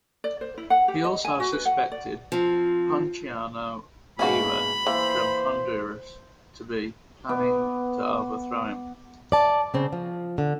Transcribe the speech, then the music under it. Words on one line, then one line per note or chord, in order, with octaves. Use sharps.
He also suspected Ponciano Leiva from Honduras to be planning to overthrow him.
D5
C5
E4
F#5
G4
D#5
G#5
F#4
B4
F#5
D5
F3 C4
G#2 B2 A#3 C#4 E4 F#4 B5
A#2 E3 C5
B3 D6
D5 A5
C#3 C4
F3
D3